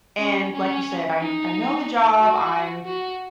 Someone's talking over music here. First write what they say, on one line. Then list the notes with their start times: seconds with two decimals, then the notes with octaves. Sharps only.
and like you said, I I know the job I'm
0.20 C#4
0.53 C#4
1.19 D#4
2.19 F#4
2.86 F#4